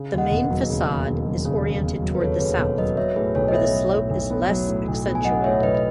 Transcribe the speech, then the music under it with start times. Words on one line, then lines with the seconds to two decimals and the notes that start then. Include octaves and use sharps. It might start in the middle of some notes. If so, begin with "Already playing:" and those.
The main facade is oriented towards the south, where the slope is less accentuated.
Already playing: C#3
0.12 D#2
0.18 D#5 F#5
0.31 E1
0.43 B4 D#5
0.50 F#3
0.70 C#3
0.88 D#2
1.07 E1
1.26 F#3
1.45 C#3
1.64 D#2
1.83 E1
2.02 F#3
2.15 B4
2.20 C#3 A4 C#5
2.32 C#5
2.39 D#2 G#4 B4
2.59 E1 A4 C#5
2.78 F#3 B4 D#5
2.97 F#3 C#5 E5
3.16 A2 G#4 B4
3.35 B1 A4 C#5
3.48 D#5
3.54 B3 C#5 E5
3.72 F#3
3.92 A2
4.10 B1
4.30 B3
4.49 F#3
4.67 A2
4.88 B1
5.06 B3
5.15 G#5
5.25 F#3 D#5 F#5
5.44 A2 C#5 E5
5.63 B1 B4 D#5
5.75 D#5